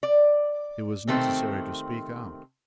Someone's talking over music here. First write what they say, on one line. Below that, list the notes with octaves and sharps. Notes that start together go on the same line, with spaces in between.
It was necessary to speak out.
D5
C3 D#3 A3 B3 C4